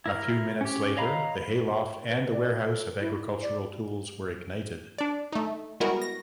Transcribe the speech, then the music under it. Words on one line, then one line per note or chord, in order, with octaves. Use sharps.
A few minutes later the hayloft and the warehouse of agricultural tools were ignited.
E4 A#4 F6
C#4 G4
C#5 D#5 F5 A#5 B5
B4
D5
A4
E4
D5
D4 D5
A3 D#4
G3 G#3 B3 E4 F#4 A#4
A#6